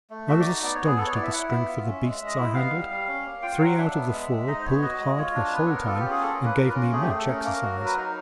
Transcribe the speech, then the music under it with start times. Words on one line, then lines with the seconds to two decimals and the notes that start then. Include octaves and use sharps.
I was astonished at the strength of the beasts I handled; three out of the four pulled hard the whole time and gave me much exercise.
0.10 A3
0.28 F#4 E5
0.39 D5
0.46 D#4
0.63 B3 D5
0.75 C#5
0.81 B3
0.86 G#4
0.98 B3 A4
1.07 C#5
1.15 E4 D5
1.23 E5
1.32 E4 F#5
1.50 B3 E5
1.68 F4
1.86 C#4
2.02 G#3
2.21 G#3
2.26 D#5
2.37 E4 E5
2.55 B3 F5
2.73 G3
2.90 G3
3.07 C#4
3.26 A#3
3.42 F4 G5
3.54 F#5
3.60 F#3 F5
3.66 F#5
3.77 D4 E5
3.94 B3
4.12 G#3
4.30 G#3
4.47 D#4 D#5
4.59 C5
4.65 B3 C#5
4.82 F#4 D#5
5.00 G#3
5.18 F4 C#5
5.34 D4
5.52 B3 B4
5.66 A4
5.69 B3 A#4
5.87 F4 A4
5.99 G4
6.05 C#4
6.10 G#4
6.22 A#3 A4
6.34 A#3 A#4
6.45 B4
6.57 F4 A#4
6.69 B4
6.74 C#4 A#4
6.92 A3 G#4
7.01 G4
7.09 A3 G#4
7.18 A4
7.27 C#4 A#4
7.44 A#3 A#4
7.62 F#4
7.79 F#3
7.85 B4
7.97 D#4 A#4